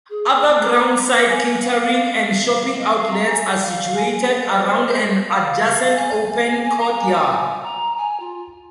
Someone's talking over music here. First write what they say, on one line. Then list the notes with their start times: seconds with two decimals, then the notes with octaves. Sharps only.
Other ground side catering and shopping outlets are situated around an adjacent open courtyard.
0.10 G#4
0.44 G#5
0.60 A#5
1.28 G#5
1.61 F5
1.95 F5
2.28 F5
2.62 F5
2.78 D#5
2.95 F5
3.11 A#5
3.29 G#5
3.62 F5
3.95 G#5
4.12 G#5
4.29 F5
4.46 D#5
4.62 C5
5.30 F5
5.96 G#5
6.63 G#5
6.80 A#5
6.97 G#5
7.14 A#5
7.29 G#5
7.63 A#5
7.97 G#5
8.20 F4